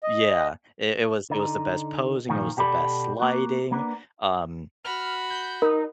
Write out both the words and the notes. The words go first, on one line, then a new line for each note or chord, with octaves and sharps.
Yeah. It it was it was the best posing, it was the best lighting. Um,
D#5
D3 D#4
A#2 D#3 F3
B2 G4 A4 D5 E5 B5
A#3 F#4
A#3 B3 D4
F#4 B5 F6
G6
D#4 A#4